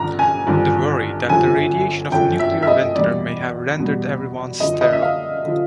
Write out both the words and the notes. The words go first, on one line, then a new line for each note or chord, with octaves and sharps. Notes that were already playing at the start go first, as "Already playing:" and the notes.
They worry that the radiation of the nuclear winter may have rendered everyone sterile.
Already playing: G#1 G2 D3 F3 A#5
G#5
G#1 G2 D3 F3
G1 F#2 D3 F3 G#5
G1 F#2 D3 F3 G5
E5
E5
D#5
E2 B2 G3 D5
E2 B2 G3
F#2 D3 F3 D#5
D#5
E5
F5
D3 F3